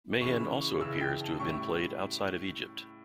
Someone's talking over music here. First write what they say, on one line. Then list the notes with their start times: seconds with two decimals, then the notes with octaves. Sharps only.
Mehen also appears to have been played outside of Egypt.
0.21 C#2 C#3 E3 C#6
0.40 B5
0.61 C#6
0.80 C#2 C#3 E3 E6
1.00 G5
1.20 A5
1.39 A2 G3 C#4 E4 C#6